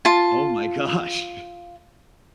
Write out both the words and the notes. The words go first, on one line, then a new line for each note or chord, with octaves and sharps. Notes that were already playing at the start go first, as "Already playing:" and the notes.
Oh my gosh.
F4 A5